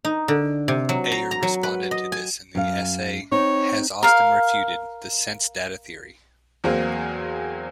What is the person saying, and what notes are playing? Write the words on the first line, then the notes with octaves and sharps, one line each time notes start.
Ayer responded to this in the essay Has Austin Refuted the Sense-data Theory?
D#4
D3
C3
F#3
A#5
A#5
F#3
B4
D#5
G#5
F#2 F5
C4 D#4 C#5
A#4 F5
E2 F#3 A#3 C4 G#4 F5